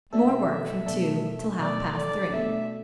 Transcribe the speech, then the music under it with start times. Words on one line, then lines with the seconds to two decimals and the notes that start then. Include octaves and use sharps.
More work from two till half past three.
0.13 B2 A3 D4 A4 E5
0.86 B2 A3 D4 A4
1.59 B2 A3 D4 A4 D5
1.96 D5
2.33 B2 A3 D4 A4 E5